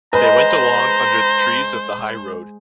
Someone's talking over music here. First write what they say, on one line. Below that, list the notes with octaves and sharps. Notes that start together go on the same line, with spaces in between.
They went along under the trees of the highroad.
G#3 B4 C5 A#5